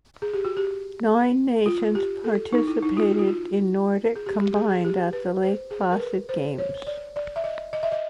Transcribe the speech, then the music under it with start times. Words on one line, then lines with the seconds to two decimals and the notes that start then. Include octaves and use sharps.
Nine nations participated in Nordic combined at the Lake Placid Games.
0.22 G#4
0.34 G4
0.45 F#4
0.57 G4
1.66 F4
1.95 G4
2.24 A4
2.53 D#4
2.68 E4
2.83 D#4
2.97 F4
3.11 F#4
3.19 F4
3.28 F#4
4.16 G#4
4.26 G4
4.41 G4
4.56 G#4
4.70 G#4
4.85 G4
5.13 B4
5.43 C5
5.71 G#4
5.92 A#4
6.00 B4
6.29 C5
6.58 C#5
6.87 D5
7.16 D5
7.36 E5
7.44 D#5
7.73 D#5
7.83 E5
7.92 D#5